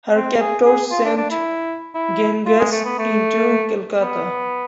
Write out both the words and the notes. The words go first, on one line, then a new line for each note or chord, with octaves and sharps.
Her captors sent "Ganges" into Calcutta.
C4
G#4
G#4
F4
D4
D4
E4
E4
F4
G#3
A3
B3
A3
B3